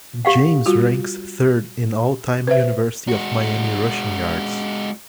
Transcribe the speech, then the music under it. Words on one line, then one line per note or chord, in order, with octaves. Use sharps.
James ranks third in all-time University of Miami rushing yards.
G4 F5 F#5
G3 F4 F#4
B4 C5 E5
G#3 F#4